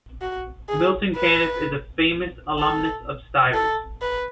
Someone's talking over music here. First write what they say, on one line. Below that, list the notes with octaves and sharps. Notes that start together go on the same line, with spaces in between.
Milton Caniff is a famous alumnus of Stivers.
F#4
G#4
B4
A4
A4
B4